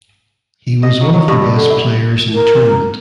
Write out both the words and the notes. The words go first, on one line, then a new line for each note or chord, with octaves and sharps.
He was one of the best players in the tournament.
D#5
F#3
F#3
G2
G3
D3
E4
A#4